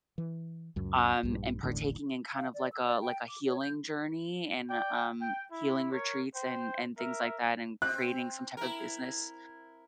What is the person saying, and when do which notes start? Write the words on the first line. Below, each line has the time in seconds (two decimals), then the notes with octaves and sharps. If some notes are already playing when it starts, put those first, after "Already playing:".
um, and partaking in kind of, like a like a healing journey and, um, healing retreats and and things like that, and creating some type of business
0.18 E3
0.76 C#2 F#2
1.23 A#1 G2
1.63 E1 A1 A2 D3
2.36 F5
2.54 D5
2.72 E6
2.87 D5
3.01 G5
3.28 D6
3.46 C#5
3.61 G6
4.69 D5 G5
5.21 G5
5.52 E4
5.93 A#4 C#5
6.35 C5 G5
6.98 A#4 E5
7.82 C4 F#6
8.57 E4 A#4